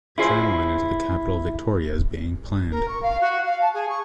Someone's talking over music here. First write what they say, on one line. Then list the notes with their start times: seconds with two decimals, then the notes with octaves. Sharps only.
A tram line into the capital Victoria is being planned.
0.18 E4 F4 G#4 C5 D#5 E5
2.71 A#4
2.88 C#6
3.02 F5
3.21 F#4
3.46 F5
3.61 A5
3.74 G#4
3.89 C#6